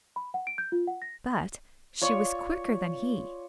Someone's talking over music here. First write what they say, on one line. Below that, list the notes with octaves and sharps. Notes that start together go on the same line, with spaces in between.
But she was quicker than he.
B5
F#5
D7
G6
F4
F#5
A#6
F4 C#5 D5 C#6